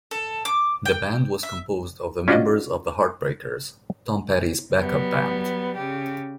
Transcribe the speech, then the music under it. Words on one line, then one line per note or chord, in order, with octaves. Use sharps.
The band was composed of the members of The Heartbreakers, Tom Petty's backup band.
A4
D6
G5
E5
C#4 D4 F4 F#4 D5 D#5
F#3 G3 B3
C#3 G4